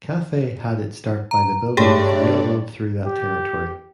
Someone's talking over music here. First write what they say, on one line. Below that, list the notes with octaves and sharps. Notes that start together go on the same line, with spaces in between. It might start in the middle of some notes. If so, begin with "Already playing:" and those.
Cathay had its start by the building of the railroad through that territory.
A#5
G2 A3 D4 G4 G#4 C#5 D5 G5
G4